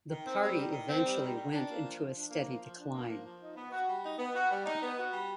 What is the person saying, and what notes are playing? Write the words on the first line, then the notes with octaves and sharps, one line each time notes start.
The party eventually went into a steady decline.
D#3
C4
G3
D#3
D#3
C4
G3
D#3
D#3
D4
A#3
F3
F3
D4
A#3
F3
F3
D4
A#3
F3
F3
D#4
B3
F#4
G3
D#4
B3
F#4
G3
D#4
B3
F#4
G3